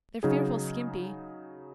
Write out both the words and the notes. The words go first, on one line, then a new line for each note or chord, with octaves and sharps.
They're fearfully skimpy.
C#3 F#3 D#4 G#4